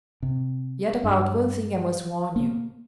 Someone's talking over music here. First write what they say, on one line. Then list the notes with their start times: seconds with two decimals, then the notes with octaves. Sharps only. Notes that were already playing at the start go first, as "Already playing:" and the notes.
Yet about one thing I must warn you.
0.22 C3
1.04 G2
2.36 A#3